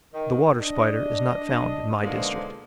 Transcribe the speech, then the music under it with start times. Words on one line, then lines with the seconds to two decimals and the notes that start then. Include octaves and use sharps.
The Water Spider is not found in my district.
0.14 D#3
0.60 D4 D#5
2.00 G#2 B2 D3 F3 G#3 A#3